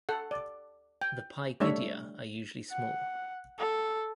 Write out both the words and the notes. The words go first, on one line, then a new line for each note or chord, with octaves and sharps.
The pygidia are usually small.
A4 F#5
D5
G5
G3 A3 D4 C#5 E5
F#5
A4